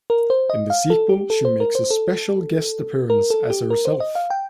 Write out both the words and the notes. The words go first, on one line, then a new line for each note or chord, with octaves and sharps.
In the sequel, she makes a special guest appearance as herself.
A#4
C5
D#5
F5
A4
G4
A4
C5
A#4
C5
A4
A#4
A4
G4
A#4
C5
D#5
F5
G5